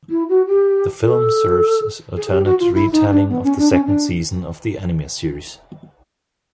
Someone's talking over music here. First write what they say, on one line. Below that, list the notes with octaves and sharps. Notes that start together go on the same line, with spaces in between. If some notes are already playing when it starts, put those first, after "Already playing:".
The film serves as alternate retelling of the second season of the anime series.
E4
F#4
G4
A4
G#4
G4
F#4
F4
E4
D#4
D4
B3
C#4
D4
C#4
D4